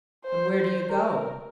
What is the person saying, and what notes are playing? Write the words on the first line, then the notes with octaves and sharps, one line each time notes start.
"And where do you go?"
C5
C5
A#4